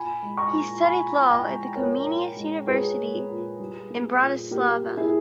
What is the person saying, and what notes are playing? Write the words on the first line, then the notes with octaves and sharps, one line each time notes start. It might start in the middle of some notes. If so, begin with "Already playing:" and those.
He studied law at the Comenius University in Bratislava.
Already playing: A#2 G#5 B5
G#3
A#5 C#6
A#2
A#2 G#5 B5
A#2
G5 A#5
G#3
A#2 A#4 C#5
A#2
G#3
G#3 G#4 B4
G#3
A#2
G3
A#3
A#2
A#3 G4 A#4
A#2
E4 G#4